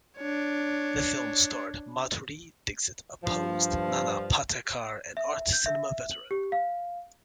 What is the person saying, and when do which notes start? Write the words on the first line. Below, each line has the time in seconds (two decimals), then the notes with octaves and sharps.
The film starred Madhuri Dixit opposite Nana Patekar, an art cinema veteran.
0.18 D4 C#5
3.24 G2 F3
5.17 E5
5.53 G6
5.66 E5
6.11 F#7
6.31 G4
6.52 F5